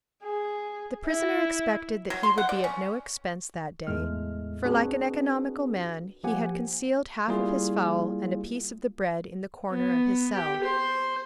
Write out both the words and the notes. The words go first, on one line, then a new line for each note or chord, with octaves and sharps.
The prisoner expected that he would be at no expense that day, for like an economical man he had concealed half of his fowl and a piece of the bread in the corner of his cell.
G#4
E4
F#3
C6
F#5
D5
C#4
E2 A2 G#3 A3 F6
C4 D4 F#4 G#4 B4
F3 A#3 G4 F#5 G#5
G3 A#3 E4 F4 G#4
B3
G4
C5